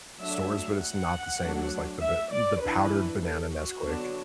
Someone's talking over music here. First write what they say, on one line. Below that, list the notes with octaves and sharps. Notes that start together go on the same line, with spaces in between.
stores, but it's not the same as, like, the ba the powdered banana Nesquik.
F#3 A3 D4 E5
F#5
F#3 A3 D4
E5
D5
E3 D4 B4
A4
F#4
D3 F#3 B3 D4